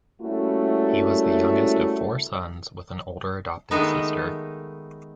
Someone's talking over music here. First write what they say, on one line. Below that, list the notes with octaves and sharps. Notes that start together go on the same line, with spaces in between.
He was the youngest of four sons, with an older adopted sister.
G3 A3 A#3 C#4 E4 F#4
D#3 G#3 A3 B3 D#4